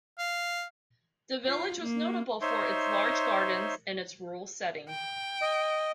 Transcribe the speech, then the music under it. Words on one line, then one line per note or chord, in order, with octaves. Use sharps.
The village was notable for its large gardens, and its rural setting.
F5
F4
A#3
D#4 C5 C#5 E5 C6
G5
D#5